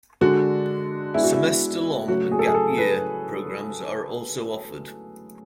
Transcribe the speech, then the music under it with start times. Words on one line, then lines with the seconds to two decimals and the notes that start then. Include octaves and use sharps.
Semester long and gap-year programs are also offered.
0.21 D3 G#3 D4 F#4 A4
1.14 G#3 B3 D4 E4 G#4
1.24 F#4
1.32 E4
2.08 C#3 F#3 A3 F#4
2.32 G#4
2.39 A4
2.47 G#4
2.54 A4
2.78 B4